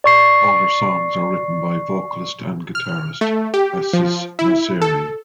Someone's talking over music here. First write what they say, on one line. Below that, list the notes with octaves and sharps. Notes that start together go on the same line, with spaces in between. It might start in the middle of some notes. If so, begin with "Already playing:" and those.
All their songs are written by vocalist and guitarist, Asis Nasseri.
D5 C#6 C7
F6
A3
G4
F3
E4
A4